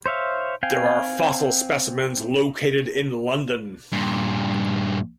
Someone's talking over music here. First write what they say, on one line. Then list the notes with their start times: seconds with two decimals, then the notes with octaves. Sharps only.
There are fossil specimens located in London.
0.06 C5 C#5 E5 F5
0.63 C4 F5 G5 G#5
3.92 G2 A#2